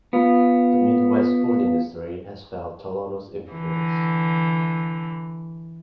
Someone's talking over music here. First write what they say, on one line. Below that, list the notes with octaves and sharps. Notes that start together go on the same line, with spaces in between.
The Midwest food industry has felt Tolono's influence.
B3 F4
D3 E3